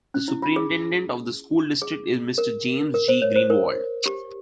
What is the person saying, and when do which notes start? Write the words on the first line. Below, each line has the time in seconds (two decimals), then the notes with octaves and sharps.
The superintendent of the school district is Mr. James J. Greenwald.
0.14 C#4
0.28 E4
0.42 F4
0.56 G#4
1.82 G#4
2.38 A#4
2.94 A#4
3.08 C5
3.22 C#5
3.36 C5
3.50 A#4
4.06 G4